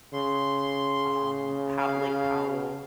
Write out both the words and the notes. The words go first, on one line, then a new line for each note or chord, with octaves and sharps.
um, Po Lake Powell,
C#3 C6
F5